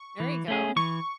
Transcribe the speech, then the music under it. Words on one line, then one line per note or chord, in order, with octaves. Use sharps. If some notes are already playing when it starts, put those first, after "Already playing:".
There you go.
Already playing: C#6
E3
A3 C#4 G#4
E3 C#6